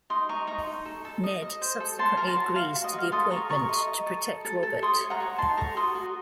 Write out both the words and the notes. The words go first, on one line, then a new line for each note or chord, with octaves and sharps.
Ned subsequently agrees to the appointment to protect Robert.
D#4 C6 D#6
D#5 A#5 C#6
D#4 A#5 C#6
D#4
A4
A4
D#5
D#5
C5
A4
C#5 A5 C6
A#4 A#5
A5 C6
F#4
F#4 F5
F#4
D#5
F#4
F5
A4 C6 D#6
A4 A#5 C#6
A4 A#5 C#6
D#5
D#5
A4
A4
A4
A4
C#5 C6 D#6
C#5
F#5 A#5
C#5
D#4 A5 C6
A4 A#5 C#6
F#4 C6 D#6
F#4